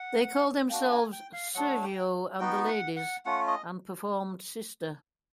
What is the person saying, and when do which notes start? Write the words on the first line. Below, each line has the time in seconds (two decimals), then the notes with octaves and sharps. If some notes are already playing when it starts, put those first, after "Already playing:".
They called themselves "Sergio and The Ladies" and performed Sister.
Already playing: F#5
0.69 A#3 D4 F#4 G5
0.91 G#5
1.12 G5
1.33 F5
1.55 F#3 A3 D4 F#5
1.84 G5
2.40 B3 D#4 F#4 G5
2.69 F#5
2.96 F#5
3.25 A3 C#4 F4 F#5
3.47 D#5